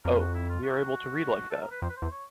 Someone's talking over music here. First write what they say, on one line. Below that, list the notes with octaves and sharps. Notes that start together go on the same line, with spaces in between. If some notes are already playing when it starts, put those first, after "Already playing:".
Oh! We are able to read like that!
F2 A#4
F#4
E4
F4
F#4
A4
A#4
B4
F2 C5
B4
C5
E2
C#5